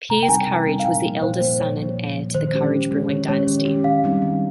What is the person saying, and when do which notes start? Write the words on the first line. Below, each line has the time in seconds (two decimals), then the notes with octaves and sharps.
Piers Courage was the eldest son and heir to the Courage brewing dynasty.
0.09 C3 A#5
0.23 G5
0.28 G3 C4 D#4 A#4 G#5
0.47 C3
0.66 G3 C4 D#4 A#4
0.80 F5
0.84 A#2 G5
1.03 F3 A#3
1.22 A#2 C5
1.41 F3 A#3 C5
1.60 A#2 C#5
1.78 F3 A#3
1.97 A#2
2.16 F3 A#3
2.35 D#3 C5
2.53 G#3 C#4 G4
2.72 D#3
2.91 G#3 C#4 G4
3.09 D#3 C#5
3.28 G#3 C#4 G4 C#5
3.47 D#3
3.65 G#3 C#4 G4
3.84 D#3 F5
4.04 G3 C4 D#4
4.22 D#3